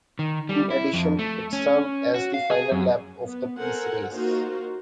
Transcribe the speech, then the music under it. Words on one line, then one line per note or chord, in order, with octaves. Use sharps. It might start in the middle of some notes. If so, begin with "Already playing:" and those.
In addition, it served as the final lap of the Peace Race.
D#3
G3
E4
F2
A3
C#4
F#4
F5
G#4
F#2
B3
A4 A#4 C5 F#5 G#5
A#3 D#4 F4 F#4 A#4 C5